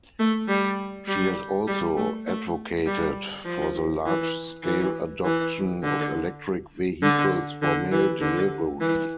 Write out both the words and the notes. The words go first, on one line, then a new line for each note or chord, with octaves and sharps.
She has also advocated for the large-scale adoption of electric vehicles for mail delivery.
A3
G3
G3
G3
A3
A3
G3
F3
E3
E3
E3
D3
D3
D3
E3
D3
E3